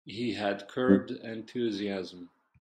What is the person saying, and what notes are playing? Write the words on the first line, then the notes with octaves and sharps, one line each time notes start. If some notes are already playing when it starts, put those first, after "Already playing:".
He had curbed enthusiasm.
G2